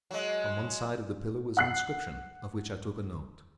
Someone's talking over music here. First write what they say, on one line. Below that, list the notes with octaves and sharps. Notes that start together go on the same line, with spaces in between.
On one side of the pillar was an inscription, of which I took a note.
F#3 G#3
F#5 F#6 C7